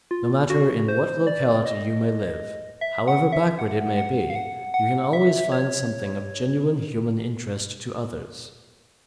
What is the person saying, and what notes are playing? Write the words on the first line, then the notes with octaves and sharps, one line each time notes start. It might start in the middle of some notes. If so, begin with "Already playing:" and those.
No matter in what locality you may live, however backward it may be, you can always find something of genuine human interest to others.
F4
F#4
C5
D5
D#5
E5
F#5
E5
F#5
F#5
F5
F#5
F#5
E5
C#5